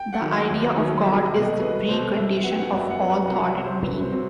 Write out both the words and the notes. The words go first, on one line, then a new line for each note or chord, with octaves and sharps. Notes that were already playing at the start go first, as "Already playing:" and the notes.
The idea of God is the precondition of all thought and being.
Already playing: G5
F#5
D#3 F#3
E5
D#2
D#3 F#3
C2 E5
D#5
B2 A3
D#5
C2 B4
B2 A3 C5
F#2 E5
F#3 B3 F#5
G5
F#5
F#2 F#5
F#5
F#3 B3
F#5
C2 F#5
F#5
E5
C3 F#3 C4
C5
C2 B4
C5
C3 F#3 C4